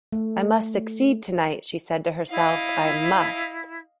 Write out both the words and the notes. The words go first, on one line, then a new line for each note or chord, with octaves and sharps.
"I must succeed tonight," she said to herself — "I must!"
A3
E4 D#5 F5